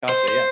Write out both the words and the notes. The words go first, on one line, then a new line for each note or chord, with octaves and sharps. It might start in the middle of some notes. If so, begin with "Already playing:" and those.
Gotcha, yeah.
C5
C5